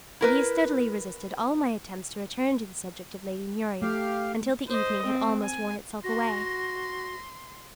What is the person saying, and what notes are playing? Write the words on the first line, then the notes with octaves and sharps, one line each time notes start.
And he steadily resisted all my attempts to return to the subject of Lady Muriel until the evening had almost worn itself away.
E4 A#4 B4
A3 G4 F5
C5 D#5
C4
G#5
F#4 C6 A#6